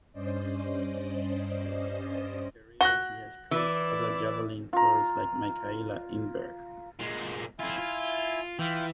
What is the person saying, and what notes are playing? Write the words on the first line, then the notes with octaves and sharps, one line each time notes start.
After his active career he has coached other javelin throwers like Mikaela Ingberg.
G2 C#4 C5 D5 D#5
F#4 F#6 A#6 G7
E3 E4 D5
F4 A#5
A#2 G#3
C4 E4 F4 E5 G#5
F4
E3 F4 G5